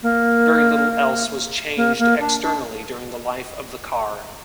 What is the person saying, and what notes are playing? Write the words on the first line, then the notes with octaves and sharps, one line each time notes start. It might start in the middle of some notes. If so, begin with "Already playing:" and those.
Very little else was changed externally during the life of the car.
A#3
A#3
A#3
D4
D4